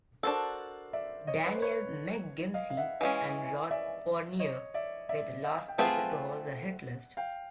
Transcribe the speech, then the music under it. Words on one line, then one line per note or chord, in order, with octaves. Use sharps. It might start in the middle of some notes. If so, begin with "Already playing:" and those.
Danielle McGimsie and Rob Fournier, were the last people to host the "Hit List".
D4 F#4 A4 A#4 C5
D5 E5
C#5 D#5
B4
C5
B4 C#5
D#5 F5
F5
E5 F#5
E3 G#3 C#4 D#5 F5
D5 E5
C#5 D#5
D5 E5
D5 E5
D#5 F5
G5
A3 C4 F4 G#4 B4 E5 F#5
F5 G5